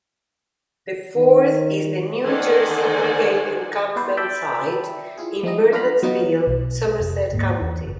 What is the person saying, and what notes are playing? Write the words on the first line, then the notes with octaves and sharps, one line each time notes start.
The fourth is the New Jersey Brigade Encampment Site in Bernardsville, Somerset County.
D#3
D#3 A4 C5 D5 F#5 G#5
B3 E4 B4 C5 D5
D5 E5 G5 A5 B5
E4 F4 G#4
F3 G#3 C4 D#4 E4 D#5
D4 F4 B4 F5 A#5 B5
F#3 B3 D#4 F4 F#4
B1
F1
D2 G#2 A#3
E2
F#1